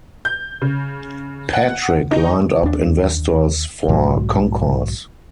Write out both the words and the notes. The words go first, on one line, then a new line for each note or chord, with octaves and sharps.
Patrick lined up investors for Concourse.
G6
C#3
F#5
D#4
D#2 D4
B1 G#2 F#3